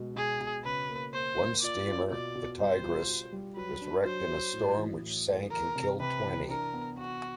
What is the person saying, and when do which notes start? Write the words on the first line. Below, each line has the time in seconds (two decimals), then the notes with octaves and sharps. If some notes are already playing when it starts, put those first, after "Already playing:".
One steamer, the "Tigris", was wrecked in a storm which sank and killed twenty.
Already playing: B2 G#3
0.16 B2 G#4
0.40 B2
0.65 C#3 B4
0.89 A#3
1.13 A#3 C5
1.38 A#3
1.62 F4 D5
1.87 F4
2.11 B2 D5
2.35 B2
2.60 G3 C5
2.84 F4
3.09 F4
3.32 G3
3.56 F#3 B4
3.81 D4
4.05 F#3 C5
4.30 F#3
4.54 A2
4.78 E3
5.03 A2
5.28 A3
5.51 E3 A#4
5.76 C3
6.00 C3 B4
6.24 E3
6.49 D4 A#4
6.74 B3
6.97 B3 F#4